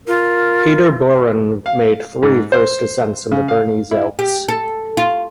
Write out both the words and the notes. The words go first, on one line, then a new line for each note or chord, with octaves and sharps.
Peter Bohren made three first ascents in the Bernese Alps.
F4 A#4
F5
G#2
C5
C#3
F5
E4
G4
A4
F4